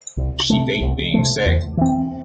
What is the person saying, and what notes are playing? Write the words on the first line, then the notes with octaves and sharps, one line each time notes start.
She faked being sick.
C2
C3 A3
C2
C3 A3
E2
E3 C4